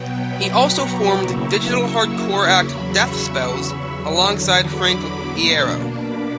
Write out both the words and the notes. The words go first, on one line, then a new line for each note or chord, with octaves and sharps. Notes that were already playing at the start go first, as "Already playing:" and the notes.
He also formed digital hardcore act, Death Spells, alongside Frank Iero.
Already playing: B2 F#3 B3 G5
G5 B5
A#5 C#6
B5 D6
C#3 F#3 A#3 E4 C#6 E6
E2 C#3 F#3 B5 D6
C#6 E6
C#6 E6
E2 D3 F#3
B5 D6
B2 A#3 D4
B5 D6